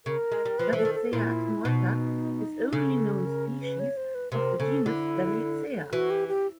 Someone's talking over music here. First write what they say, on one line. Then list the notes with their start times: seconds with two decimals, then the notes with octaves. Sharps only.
"Davidsea attenuata" is only known species of the genus Davidsea.
0.06 C#3 A#4
0.32 G#3
0.45 G3
0.58 F3 B4
0.73 E3 A4
0.85 D#3
0.94 A4
1.12 A#2 E4
1.65 B2 D#4
2.72 C#3 A4
3.26 A#4
3.62 B4
3.80 C#5
3.97 C5
4.15 B4
4.32 C3 A#4
4.59 C#3 A4
4.86 D3 E4
5.92 E3 F#4
6.10 G4
6.28 G4